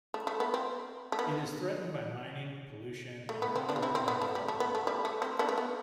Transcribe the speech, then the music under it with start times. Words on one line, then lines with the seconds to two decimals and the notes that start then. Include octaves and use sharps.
It is threatened by mining, pollution, and hydro-power development.
0.14 A3
0.27 A3
0.40 B3
0.54 C4
1.12 A3
1.19 B3
3.29 A3
3.42 B3
3.56 C4
3.69 B3 D4
3.76 F4
3.82 C4 E4
3.95 C4
4.08 B3
4.22 A3
4.35 G3
4.48 A3
4.60 B3
4.75 A3
4.87 G3
5.05 A3
5.22 C4
5.39 B3 D4
5.49 A3
5.58 B3